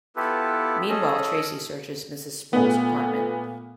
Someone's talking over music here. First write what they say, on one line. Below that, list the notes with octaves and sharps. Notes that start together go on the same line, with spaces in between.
Meanwhile, Tracy searches Mrs. Spool's apartment.
B3 E4 F4 G4 A4 B4
C#4 G#4 A4 D#5
A#2 A3 B3